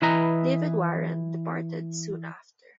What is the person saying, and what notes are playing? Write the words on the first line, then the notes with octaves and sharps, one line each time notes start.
David Warren departed soon after.
E3 E4 B4 D#5 A#5